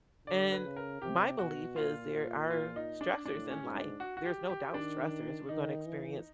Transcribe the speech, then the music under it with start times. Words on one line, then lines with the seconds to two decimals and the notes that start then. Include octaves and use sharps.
And my belief is there are stressors in life, there's no doubt stressors, we're gonna experience
0.27 D3 D5
0.52 B4
0.64 C#3
0.76 A#4
1.02 C3 G4
1.39 B2 F#4
1.76 A#2 F4
2.51 F4
2.76 D#4
3.01 D4
3.25 A2 D4
3.50 C#4
3.63 G#2
3.75 D4
4.00 F#4
4.17 F#4
4.25 G4
4.50 G4
4.74 D#3 D4
5.49 D#3 D#4
5.86 E3